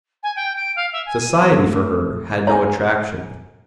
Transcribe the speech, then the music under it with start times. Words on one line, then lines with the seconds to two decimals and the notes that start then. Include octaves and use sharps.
Society for her had no attractions.
0.23 G#5
0.36 G5
0.57 D7
0.76 F5
0.92 E5
1.06 G#5
1.21 D#7
1.42 C#6
1.58 A3
2.47 C#5 G#5 A#5